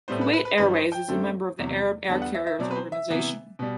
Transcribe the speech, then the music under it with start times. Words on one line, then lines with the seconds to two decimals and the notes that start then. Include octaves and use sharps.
Kuwait Airways is a member of the Arab Air Carriers Organization.
0.08 A2 G3 B3 C5
0.21 B4
0.33 B4
0.45 B4
0.58 G2 E3 G3 B4
0.75 C5
0.92 G5
1.08 F#2 D3 A3 C4
1.59 E2 C3 F#3
2.09 E2 D3 G3 B3 A5
2.22 F#5
2.34 E5
2.47 E5
2.59 B2 F#3 C4 D5
2.71 B4
2.76 C5
2.92 E5
3.10 C3 E3 B3
3.59 B2 G3